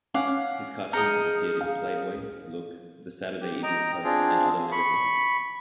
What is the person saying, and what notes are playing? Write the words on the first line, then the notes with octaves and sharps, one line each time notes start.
His cartoons have appeared in "Playboy", "Look", "The Saturday Evening Post" and other magazines.
C#4 F5 F#5 D6
G#4 D#5 A#5 F6 G6 C#7
G#4 F5
G4
D#5 G5 A#5
C4 D4 F4 G#4
B5 C#6